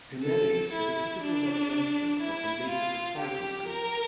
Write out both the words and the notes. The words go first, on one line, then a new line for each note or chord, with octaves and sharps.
Himerius is a typical representative of the later rhetorical schools.
A4
E4
D4
E4
F4
G4
A#4